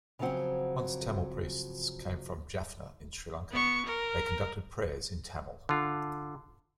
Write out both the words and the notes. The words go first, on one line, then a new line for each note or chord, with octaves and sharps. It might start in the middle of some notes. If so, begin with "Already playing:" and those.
Once Tamil priests came from Jaffna in Sri Lanka, they conducted prayers in Tamil.
C#3 F3 F#3 C4 F#5
B3 C#6
A#4
D3 F4